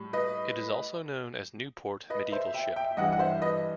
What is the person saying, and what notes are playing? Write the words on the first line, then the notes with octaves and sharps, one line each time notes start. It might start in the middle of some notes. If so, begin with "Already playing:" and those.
It is also known as Newport Medieval Ship.
Already playing: A2 G3
B4 D#5
B4 D#5
C5 E5
E5 G5
E5 G5
E5
G2 E3 G3 D#5 F#5
F#5
C5 E5
B4 D#5